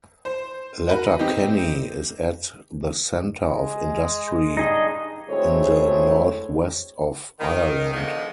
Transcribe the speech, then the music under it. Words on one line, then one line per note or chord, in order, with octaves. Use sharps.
Letterkenny is at the centre of industry in the northwest of Ireland.
C5
F#4 A#4 B4
C4 D#4 G4
G#3
G2 D#4 G#4 D#5
D2 A2 G#3 C4 G#4 C#5
D#3
B2 D3 D#3 F3 G#3